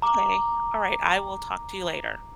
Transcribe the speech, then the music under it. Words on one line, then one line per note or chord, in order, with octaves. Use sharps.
Okay. Alright, I will talk to you later.
A#5 D6